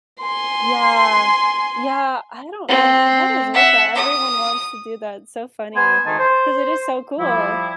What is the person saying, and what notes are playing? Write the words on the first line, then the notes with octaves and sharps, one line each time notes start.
Yeah. Yeah, I don't know what is with that, everyone wants to do that, it's so funny, 'cause it is so cool.
G#5 C6
C4
E5 F#5
D#6
B3 C5 G#5
D2 D#3 G#3 D#4 G#5 A5
C5
F3 G3 E4